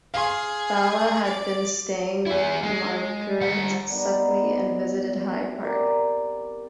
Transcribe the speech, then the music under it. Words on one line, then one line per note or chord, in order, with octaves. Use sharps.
Fala had been staying with Margaret Suckley and visited Hyde Park.
G#4 F5 C6
D5
E4 G#4
G#3
G3 F#5
G3 B3 D#4
C4 E4 F#4
G4 A#4 D5